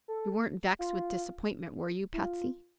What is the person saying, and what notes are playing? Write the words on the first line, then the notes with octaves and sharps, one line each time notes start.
"You weren't vexed with disappointment, were you, Patsy?"
A4
F4
E4
F4